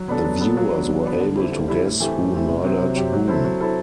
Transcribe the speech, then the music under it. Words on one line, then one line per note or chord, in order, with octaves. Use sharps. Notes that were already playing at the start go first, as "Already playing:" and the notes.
The viewers were able to guess who murdered whom.
Already playing: F#3
B3 D4 A4
F#3
B3 D4 A4
F#3
B3 D4
F#3
B3 D4
D3
G3 C4 E4
D3
G3 C4 E4
A2
E3 A3 C4 G4
A2
E3 A3 C4 G4
C3
F#3 C4 G4
C3
F#3 C4 G4
F#3
C4 E4 A4
F#3
C4 E4 A4